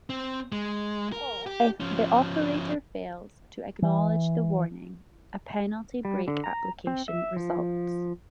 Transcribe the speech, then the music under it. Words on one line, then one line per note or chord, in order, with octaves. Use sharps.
If the operator fails to acknowledge the warning, a penalty brake application results.
C4
G#3
A#4
G4
F3 C#4
E3
G3
D3
A#5
C4
E5
F3